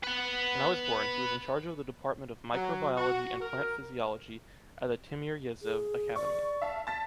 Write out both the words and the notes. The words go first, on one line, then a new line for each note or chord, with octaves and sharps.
When I was born, he was in charge of the Department of Microbiology and Plant Physiology at the Timiryazev Academy.
B4 F#5
F#3
F#4
A#4
G#4
D5 C#6
E5 F5 A5
A5 A6 B6